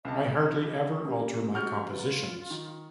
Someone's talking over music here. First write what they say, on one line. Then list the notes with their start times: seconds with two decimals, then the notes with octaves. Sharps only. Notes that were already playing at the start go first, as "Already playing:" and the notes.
I hardly ever alter my compositions.
0.05 C#2 C3 D#5 A5
1.05 D3 A#3 C#4 G4
1.54 G3 G#3 F#4 F#5 C#6 F6 G6
1.91 D3 F#3 F4 B4
2.50 D#3